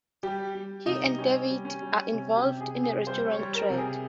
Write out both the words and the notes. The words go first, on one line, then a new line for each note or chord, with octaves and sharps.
He and David are involved in the restaurant trade.
G3 G4
G3
C3 D#4
G3 C#4
G3
C#4
G3
C3 C#4
G4
C3
G#4
C3
G#4
G3 C5
C#5
G3
A#4
C3
G#4